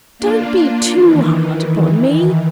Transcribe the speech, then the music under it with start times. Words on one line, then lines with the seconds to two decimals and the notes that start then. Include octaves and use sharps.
'Don't be too hard upon me.
0.18 A#3 D4 F4
0.95 D#3 E3